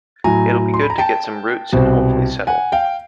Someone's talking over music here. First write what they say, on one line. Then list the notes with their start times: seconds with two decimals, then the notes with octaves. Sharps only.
It'll be good to get some roots and hopefully settle.
0.24 A2 F#3 A3 G#5 A#5
0.74 C6
0.82 B5
0.90 A#5
0.98 G5 A5
1.72 C2 B2 G3 C4
2.47 F#5 G#5
2.72 F5 G5